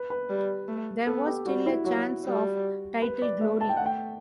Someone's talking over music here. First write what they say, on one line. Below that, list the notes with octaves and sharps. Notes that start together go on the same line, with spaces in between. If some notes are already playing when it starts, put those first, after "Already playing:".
There was still a chance of title glory.
Already playing: B4
B4
G3
A3
B3 A4
G4
G3 F#4
E4
F#3 F#4
G3
B4
D5
A3 E5
A5
G5
A3 F#5
G5